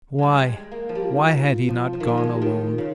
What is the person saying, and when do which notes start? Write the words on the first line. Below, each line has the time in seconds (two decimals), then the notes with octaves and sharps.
Why ... why had he not gone alone?
0.19 G3 G#3
0.39 G3
0.47 G#3
0.71 A#3
0.89 F3
0.95 G3 G4
1.04 F4
1.13 D#4
1.21 F4
1.69 F3
1.93 F3
2.00 D#3
2.08 F3
2.17 G#3
2.34 G4
2.42 D#3 F4
2.78 C#3